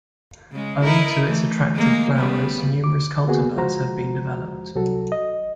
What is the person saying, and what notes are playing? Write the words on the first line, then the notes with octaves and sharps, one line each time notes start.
Owing to its attractive flowers, numerous cultivars have been developed.
C#3 G#3
D#4 E4 A#4
E3 A3
G#3 A#3
C#3 G3 B3
D6
A#3 B3 F#4 G#4
F3 G#3 F#4 C5 A#5
C2 F#3 F#4 A4
D#5